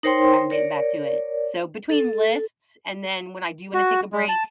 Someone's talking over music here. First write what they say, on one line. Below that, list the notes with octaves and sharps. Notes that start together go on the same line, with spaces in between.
I'm getting back to it." So, between lists, and then when I do wanna take a break,
D#4 A#4 C5 C#5 G5 C6
A#4 C#5 D5
A4
F#4
G#3
A5